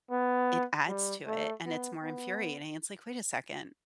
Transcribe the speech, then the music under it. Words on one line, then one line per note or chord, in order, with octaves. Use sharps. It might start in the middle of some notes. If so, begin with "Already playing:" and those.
it adds to it, and it's more infuriating. It's like, "Wait a second.
B3
G3
A3
B3
B3